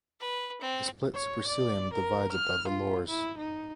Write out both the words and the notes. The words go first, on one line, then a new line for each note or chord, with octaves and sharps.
A split supercilium divides above the lores.
B4
C4
C#5
D5
A#4
F6
F4
E4
D#4